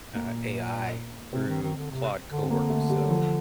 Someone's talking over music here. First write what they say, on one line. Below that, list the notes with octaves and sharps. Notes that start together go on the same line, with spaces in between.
uh, AI through Claude Cowork, so,
A#2 A#3
C3 C4
D#3
D#3
D3
C3
D3
C4
D3 A#3
A3
G3
F3